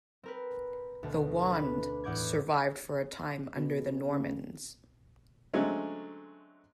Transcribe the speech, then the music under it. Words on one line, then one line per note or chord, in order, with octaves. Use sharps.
The 'wand' survived for a time under the Normans.
C4 A#4 B4
D2 B2
D4 B4
E2 A2 F#5 D6 G6 G#6
B2
C#3
D3 F#3 G#3 A3 C4 C#4